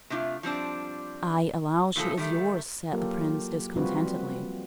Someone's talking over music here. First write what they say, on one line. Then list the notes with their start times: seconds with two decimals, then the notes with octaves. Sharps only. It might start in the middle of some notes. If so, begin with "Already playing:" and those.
"I allow she is yours," said the prince, discontentedly.
0.10 C3 A3 D4 F4
0.43 F3 G3 C4 D4
1.96 E2 A#2 F3 A4
2.17 D#3 G3 A3
2.93 F#3 A#3 F4 G4 A4 A#4
3.76 F3 G3 C4 F4 F#4 B4